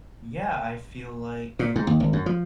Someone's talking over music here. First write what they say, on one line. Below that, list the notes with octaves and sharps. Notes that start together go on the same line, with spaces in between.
Yeah, I feel like
A#2
G#2
D#2
G#1
F#2
F3